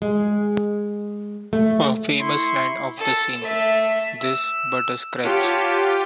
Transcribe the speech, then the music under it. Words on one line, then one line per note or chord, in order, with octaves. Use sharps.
A famous line of the scene, 'Tis but a scratch.
G#3
A3
E4 C6 C#6
A4
A3 E5
E6
F4 G4 C#5 F#5 A5